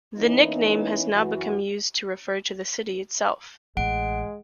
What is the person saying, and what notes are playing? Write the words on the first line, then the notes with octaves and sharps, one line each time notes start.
The nickname has now become used to refer to the city itself.
E3 A#3 B3 C#4 D#4 E4
F#2 E3 F#4
A1 G#3 F#5 D7